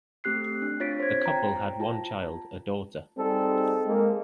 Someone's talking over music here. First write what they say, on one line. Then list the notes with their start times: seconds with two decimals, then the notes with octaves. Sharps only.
The couple had one child, a daughter.
0.24 A3 C4 G4 F#6 C7
0.62 D4
0.80 C4 F4 C#5 A6 B6 D7
1.00 C5 G#6
1.26 G5 A#5
1.80 F4 A5
3.18 G3 C4 D#4 G#4 A4
3.87 G#3 A#3